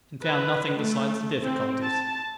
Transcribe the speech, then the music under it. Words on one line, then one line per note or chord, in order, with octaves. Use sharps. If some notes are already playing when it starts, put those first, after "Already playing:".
'And found nothing besides the difficulties?'
B4
A3
C4
A5